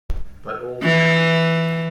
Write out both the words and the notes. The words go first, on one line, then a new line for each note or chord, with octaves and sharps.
But old now.
E3